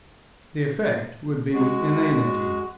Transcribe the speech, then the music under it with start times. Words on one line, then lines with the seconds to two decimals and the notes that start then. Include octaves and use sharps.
The effect would be inanity.
1.53 G#3 F#4